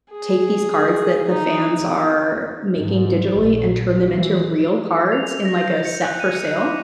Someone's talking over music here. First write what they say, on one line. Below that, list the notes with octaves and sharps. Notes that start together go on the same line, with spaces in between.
take these cards that the fans are making digitally and turn them into real cards in, like, a set for sale?
G#4
D#4
G#2
A#1
E3
F7
A#6
G6
C#7
F#6
D#7
C#7
D6